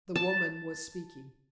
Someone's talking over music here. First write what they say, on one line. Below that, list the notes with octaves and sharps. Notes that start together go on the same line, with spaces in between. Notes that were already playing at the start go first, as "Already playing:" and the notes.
The woman was speaking.
A5